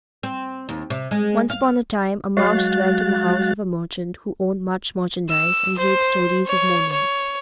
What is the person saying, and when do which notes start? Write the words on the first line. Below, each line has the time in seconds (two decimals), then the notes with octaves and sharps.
Once upon a time a mouse dwelt in the house of a merchant who owned much merchandise and great stories of monies.
0.23 C4
0.69 D#2
0.90 C3
1.11 G#3
1.50 F5
2.37 F#3 G#3 F#4 F5 F#6 A6
5.30 E6
5.79 C5
6.47 C#5
6.92 C#5